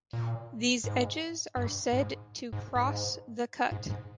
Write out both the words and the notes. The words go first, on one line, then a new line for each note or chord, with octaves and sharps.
These edges are said to cross the cut.
A#2
G#2
G2
G#2
G#2
G#2
G#2
G#2